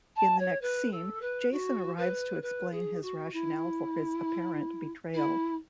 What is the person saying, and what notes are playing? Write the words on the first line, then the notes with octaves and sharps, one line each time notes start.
In the next scene Jason arrives to explain his rationale for his apparent betrayal.
A5
C#5
B4
A4
B4
F#4
B4
B4
G#4
F#4
E4
E4